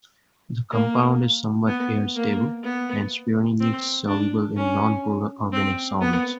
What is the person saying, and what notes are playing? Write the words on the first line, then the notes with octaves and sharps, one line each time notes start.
The compound is somewhat air-stable and sparingly soluble in nonpolar organic solvents.
A#3
B3
A#3
B3
C4
D4
C#4
C4
B3